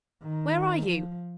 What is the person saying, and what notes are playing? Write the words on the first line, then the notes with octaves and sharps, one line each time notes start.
"Where are you?"
D#3
F3